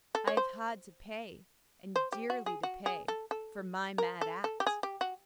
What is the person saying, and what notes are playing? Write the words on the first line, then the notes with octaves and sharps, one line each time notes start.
I have had to pay, and dearly to pay, for my mad act.
A4
C#5
C5
C5
G4
F#4
G#4
F#4
G#4
A4
A4
A#4
A4
A4
G4
G#4
G4
F#4